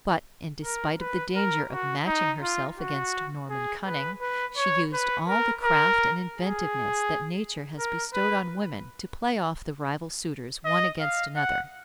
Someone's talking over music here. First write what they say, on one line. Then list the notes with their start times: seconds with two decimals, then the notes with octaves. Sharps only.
But, in despite of the danger of matching herself against Norman cunning, she used all the craft and inventiveness that Nature has bestowed on women to play off the rival suitors one against another.
0.64 A#4
1.00 B4
1.36 A#4
1.71 F#4
2.06 D#4
2.42 F4
2.78 F#4
3.50 G#4
3.86 B4
4.21 B4
4.57 C#5
4.93 B4
5.28 A#4
5.64 A#4
6.36 G#4
7.79 A#4
8.14 B4
10.65 D#5
11.00 F5
11.36 F#5